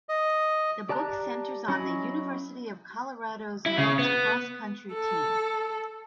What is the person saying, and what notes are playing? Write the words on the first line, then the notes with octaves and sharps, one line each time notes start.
The book centers on the University of Colorado's men's cross country team.
D#5
G4 D5 A5 A#5 F#6
F#3 C#4 E4 D#5 B5
E4
C#3
B3
A4